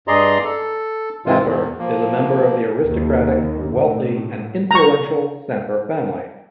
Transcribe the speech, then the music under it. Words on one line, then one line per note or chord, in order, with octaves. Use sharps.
Samper is a member of the aristocratic, wealthy and influential Samper family.
G2 G#4 D5 D#5 A#5 C6
A4
G#2 C3 G#3 C4 F4
E2
F3 A#3
D#2
A2
A#5 C#6